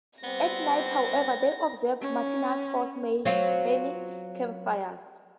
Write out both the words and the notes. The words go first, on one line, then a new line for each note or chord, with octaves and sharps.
At night however they observed Martinus’ force’s many campfires.
G3 B3 C4 A#6
C#4
F#3 C4 F4